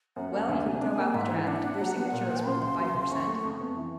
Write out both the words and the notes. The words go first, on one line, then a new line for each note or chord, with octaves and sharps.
"Well, you can throw out the draft; their signature is worth five per cent."
F#2 F#5
F#2
D2 G#5
C3
D4 G#5
A#3
G#2 E5
E3
D4 F#5
D4
F#3
B3
A#2
A#2
C#3 C6
C#2
F#3
C#2
F#2 C#6
A3
F2
B3
E3